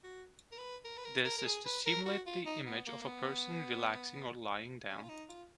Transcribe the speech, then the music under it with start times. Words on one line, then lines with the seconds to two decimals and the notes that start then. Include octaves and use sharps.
This is to simulate the image of a person relaxing or lying down.
0.04 F#4
0.52 A#4
0.58 B4
0.84 A#4
0.97 B4
1.05 A#4
1.25 A#4
1.38 A#4
1.45 G#4
1.65 B4
1.86 A#4
2.05 F#4
2.26 F4
2.46 D#4
2.66 B3
2.87 A#3
3.02 A#3
3.06 B3
4.88 C#4
5.03 F4
5.09 D#4
5.29 F4